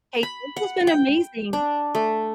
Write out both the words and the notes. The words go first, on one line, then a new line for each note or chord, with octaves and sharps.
Hey, this has been amazing.
B5
F#5
G5
D4
A3